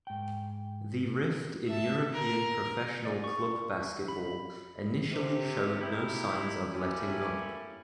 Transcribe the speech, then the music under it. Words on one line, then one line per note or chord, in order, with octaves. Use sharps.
The rift in European professional club basketball initially showed no signs of letting up.
G#2 G5
E5 A5
A#4
D5
C#6
B5
C3
D#4 E4 G4
A3 A#3 C#4 E4 G4 D5